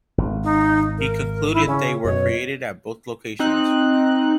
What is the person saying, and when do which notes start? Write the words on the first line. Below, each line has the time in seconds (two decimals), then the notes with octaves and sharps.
He concluded they were created at both locations.
0.18 G#1
0.44 D#4
0.98 A#4
1.53 E4
1.67 C#3 C#4
2.05 F#2 B2 C#5
3.39 C4 D#4 F#6